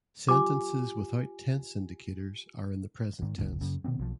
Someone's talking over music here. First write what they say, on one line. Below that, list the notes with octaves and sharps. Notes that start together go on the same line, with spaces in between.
Sentences without tense indicators are in the present tense.
F4 G4 G#5 D6
G#2 D#3
F#1 D2 A2
F#2 C#3
B2 D#3 B3 C4
B1 F3